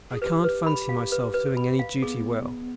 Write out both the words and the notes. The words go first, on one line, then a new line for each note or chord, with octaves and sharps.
I can't fancy myself doing any duty well.
G#4
G4 B4
B4
B5
F5
B4
B4
B5
F5
B3 G#4